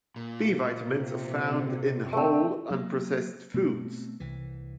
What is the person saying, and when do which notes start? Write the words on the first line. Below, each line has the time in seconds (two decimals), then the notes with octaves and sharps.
B vitamins are found in whole unprocessed foods.
0.16 A#2
0.77 C3
2.13 A3 C4
2.71 F#3 A#3
3.54 B2 A3 C4
4.20 C2 E3